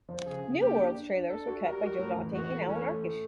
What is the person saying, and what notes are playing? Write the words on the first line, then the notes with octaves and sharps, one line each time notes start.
New World's trailers were cut by Joe Dante and Alan Arkush.
F3
C#3 G#4
C#3
A#3 G4
D4
D4
D4
D4 A4
F#4
G3 A#4
F#4
A2
E3
E3 F#4
A3
E3 C#4
A3
A2